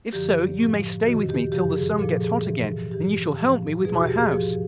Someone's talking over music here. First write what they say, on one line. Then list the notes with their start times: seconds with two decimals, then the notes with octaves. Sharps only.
If so you may stay with me till the sun gets hot again, and you shall help me with my house.
0.13 F#2 D3 F3 G4
0.60 A2 F3
1.06 F2 C3 D#3 F#4
1.29 G4
1.52 F#2 C#3 F3 G4
1.76 G#4
1.99 A#2 F3 A4
2.21 G#4
2.45 G#2 E3
2.91 G2 E3 G4
3.38 A2 F3
3.85 E2 B2 G#4
3.97 F#4
4.07 G4
4.19 G#4
4.31 G#2 F3 G4